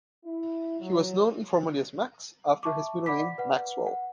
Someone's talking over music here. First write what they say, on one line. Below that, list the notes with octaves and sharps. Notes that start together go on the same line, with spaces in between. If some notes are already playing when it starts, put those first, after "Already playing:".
He was known informally as "Max", after his middle name "Maxwell".
E4
F#3
E5 A5 C#6 D6
D5 F#5 B5 D6 B6
B4 F#5
F#5